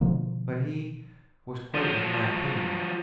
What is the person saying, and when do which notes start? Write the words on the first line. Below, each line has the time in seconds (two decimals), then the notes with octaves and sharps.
But he was quite of my opinion.
0.01 B2 D3 F3 A#3
1.75 F3 F#3